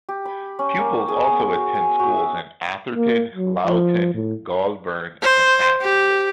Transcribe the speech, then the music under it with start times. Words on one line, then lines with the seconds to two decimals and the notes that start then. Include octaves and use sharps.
Pupils also attend schools in Atherton, Lowton, Golborne and Astley.
0.09 G4
0.25 B5
0.59 C#4
0.79 A#3
1.08 G#4
1.28 B3
1.40 G#5
1.56 F#4
1.75 G#5
1.99 F#4
2.17 E5
2.94 A#3
3.35 F#3
3.66 F3
4.15 A2
5.22 C5
5.82 G4